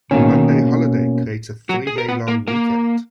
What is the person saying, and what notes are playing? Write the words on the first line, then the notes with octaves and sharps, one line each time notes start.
The Monday holiday creates a three-day long weekend.
B2 D#3 A#3 C#4 D#4
F#3 F#4
G#4
A#4
B3 B4
A#3 A#4
A#3 A#4